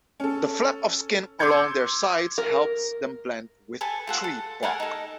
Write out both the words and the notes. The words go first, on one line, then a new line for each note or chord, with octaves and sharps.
The flaps of skin along their sides help them blend with tree bark.
C#4 A4
C6 D6 E6 G6 G#6 C#7
A#4
A4 B4 G#5 A5
F4 A4 F#5
A4
A4 A#4 F#5 G#5
D#4 A4